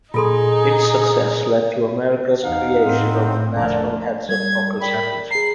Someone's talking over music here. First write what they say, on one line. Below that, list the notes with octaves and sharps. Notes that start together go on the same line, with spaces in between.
Its success led to America's creation of the National Heads-Up Poker Championship.
A#2 D#4 F4 G#4 A4 C6
E2 D#4 F5 F#5
A2 A3 C4
F1 D3 A3 D4 A#4 D5
G3 G#6
A#4 D5 G5 B5
G#4 A#5 C7